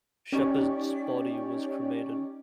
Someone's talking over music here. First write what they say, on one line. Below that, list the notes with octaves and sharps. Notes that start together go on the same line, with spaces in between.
Shepard's body was cremated.
C#4 D#4 G4 C#5 D5